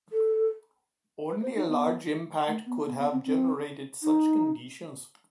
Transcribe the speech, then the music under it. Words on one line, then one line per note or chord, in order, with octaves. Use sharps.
Only a large impact could have generated such conditions.
A4
B4
C5
D#4
B3
A3
B3
B3
B3
C4
C4
D#4